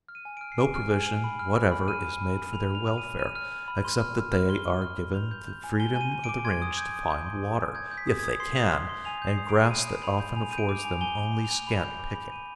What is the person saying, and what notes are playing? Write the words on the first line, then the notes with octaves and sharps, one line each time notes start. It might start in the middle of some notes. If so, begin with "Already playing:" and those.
No provision whatever is made for their welfare, except that they are given the freedom of the range to find water, if they can, and grass that often affords them only scant picking.
F6
D#7
G#5
F6 D7
C7
G#5 D7
F6
G#5
G#5
B5
F6
F6
B5
F6 D#7
F6
B5
B5
B5 F7
F6
F7
F6 F7
D#7
F6
F6 D#7
F6
F6
B5
C6
F6
F6
F6
C6 G7
F6
F6
C6
G6 F7
G6
G6
G#5
G#5 G7
G#5
D#7
G#5
D7
D6
C6 G#6
D#6
G6 G#6
D#6
C6 G6
C6
C6
D#6
G6 G#6
G6
B6
D#6
G#6
D#6
C6 C7
D#6
C6
C6
G#5 F7
G6
C7
D#6
D7
B5
B5 D#7
D#6
B5 F7
G6
G#5 F7
G6 D#7
D7
D6
F7
G#5
G#5 G7
G#5
G#5
F7
G#5
B5 F7
G6
D6
B5
D6 D#7